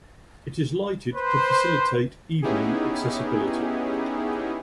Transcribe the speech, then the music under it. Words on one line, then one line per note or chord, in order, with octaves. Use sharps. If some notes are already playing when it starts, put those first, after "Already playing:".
It is lighted to facilitate evening accessibility.
B4 C5
B3 C#4 D#4 E4 G4 G#4